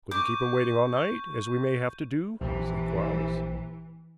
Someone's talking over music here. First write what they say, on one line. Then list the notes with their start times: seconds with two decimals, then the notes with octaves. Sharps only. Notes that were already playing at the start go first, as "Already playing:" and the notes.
"Couldn't keep him waiting all night, as we may have to do," said Quarles.
0.11 C#6 D6 G6
2.41 A#1 C3 E3